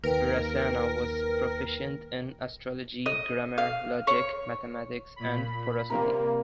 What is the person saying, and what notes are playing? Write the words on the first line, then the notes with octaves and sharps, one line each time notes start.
Virasena was proficient in astrology, grammar, logic, mathematics and prosody.
D#2 A#4 B4 G5
D#5
F5
C#5
A#2 B5
C3 G3 A#3 F4 A#4